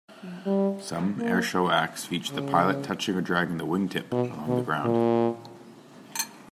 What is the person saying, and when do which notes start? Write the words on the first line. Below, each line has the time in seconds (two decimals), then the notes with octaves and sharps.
Some airshow acts feature the pilot touching or dragging the wingtip along the ground.
0.46 G3
1.20 A#3
2.30 C#3
4.12 B2
4.48 B2
4.84 A#2